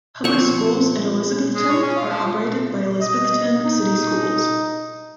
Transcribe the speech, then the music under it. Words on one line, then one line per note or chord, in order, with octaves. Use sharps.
Public Schools in Elizabethton are operated by Elizabethton City Schools.
F3 C4 C#6
G#3
C#5
C#4
F4
F3
D#5
D#4